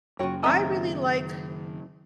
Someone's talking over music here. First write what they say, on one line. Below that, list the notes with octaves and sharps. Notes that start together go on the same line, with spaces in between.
I really like,
F#2 C#3 F#3 F4 F#4 C#5 G5
D#3 C4 C#4 D#5 E5 G5 A#5